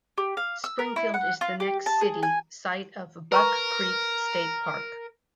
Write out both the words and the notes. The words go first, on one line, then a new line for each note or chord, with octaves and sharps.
Springfield is the next city, site of Buck Creek State Park.
G4
F5
E6
A#4
E4
F#5
F4
G4
A5
G#4
G#5
A#4 B4 A#5 C#6